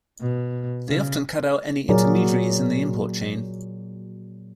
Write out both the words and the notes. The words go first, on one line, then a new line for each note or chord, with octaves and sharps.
They often cut out any intermediaries in the import chain.
B2
C#3
A#2 F#3 F#4 G#4 A#4 D5